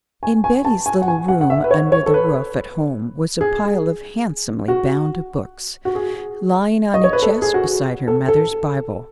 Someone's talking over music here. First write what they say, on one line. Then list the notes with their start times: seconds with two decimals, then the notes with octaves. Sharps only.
In Betty's little room under the roof at home was a pile of handsomely bound books, lying on a chest beside her mother's Bible.
0.23 G#5
0.44 G#5
0.65 A5
0.86 G#5
1.02 F#5
1.08 G#5
1.28 F#5
1.41 F#5
1.50 E5
1.64 B4
1.71 C#5
1.92 C#5
2.06 A4
2.14 B4
3.41 G#4
4.68 F#4
5.85 F#4
5.95 G#4
6.94 D#5
7.04 C#5
7.13 B4
7.22 A4
7.42 G#4
7.54 F#4
8.08 A4
8.28 A4